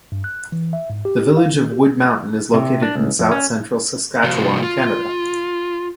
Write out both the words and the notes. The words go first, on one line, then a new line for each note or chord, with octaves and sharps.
The village of Wood Mountain is located in south central Saskatchewan, Canada.
G2
F#6
E3
E5
G#2
G4
F5
D#3
G4
C3
D4
C#2
F2
C#4
C3 F3 A#3 F4 F#4 C5
F4